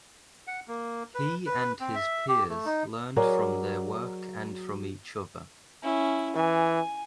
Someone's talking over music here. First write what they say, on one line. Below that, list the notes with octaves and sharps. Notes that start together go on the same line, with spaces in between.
He and his peers learned from their work and from each other.
F#5
A#3
B4
B4
C4
E5
G4
A3
D#4
F#3 F#4 G#4 A#4 C#5 D5
C#4 E4
E3 G#5